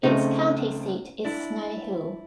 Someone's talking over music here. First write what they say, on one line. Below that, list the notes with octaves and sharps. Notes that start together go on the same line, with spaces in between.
Its county seat is Snow Hill.
C#2 C#3 F3 A3 C4 C#4 D#4
D4 E4